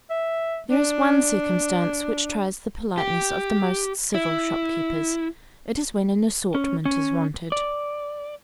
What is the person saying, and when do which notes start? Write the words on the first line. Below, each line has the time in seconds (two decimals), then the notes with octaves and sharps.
There is one circumstance which tries the politeness of the most civil shopkeepers; it is when an assortment is wanted.
0.10 E5
0.71 D4
2.98 G4
4.15 E4
6.55 C#4
6.85 C#4
7.52 D5